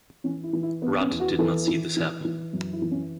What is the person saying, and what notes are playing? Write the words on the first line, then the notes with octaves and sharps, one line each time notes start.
Rudd did not see this happen.
E3 C#4
E4
E3
E4
B3
C#4
E2
F#4
E3 A4
E3
E3
E3
F#2
E4
E3
C#4